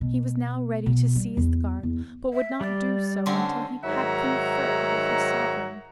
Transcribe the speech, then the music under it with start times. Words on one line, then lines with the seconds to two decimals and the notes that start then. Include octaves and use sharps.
He was now ready to seize the guard, but would not do so until he had conferred with his sovereign.
0.01 B2
0.86 B2
1.15 G3
1.37 E2
1.83 E2
2.33 E5
2.61 G3 D5
3.26 D3 C4 C#4 F#5
3.84 G#2 D#3 F#3 E5 F#5 A#5